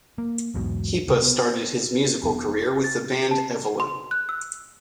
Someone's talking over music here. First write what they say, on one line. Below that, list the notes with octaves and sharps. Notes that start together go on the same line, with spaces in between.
Hipa started his musical career with the band Evelynn.
A#3
B1 E2 G#2 B2
D2 C3
B3
F1 B3
A6
A5
C6
F#6
E6